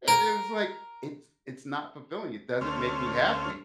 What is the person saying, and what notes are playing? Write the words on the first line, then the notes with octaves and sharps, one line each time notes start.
and it was like, "It's it's not fulfilling, it doesn't make me happy."
A#4
D2 A3 C#4 C5 F6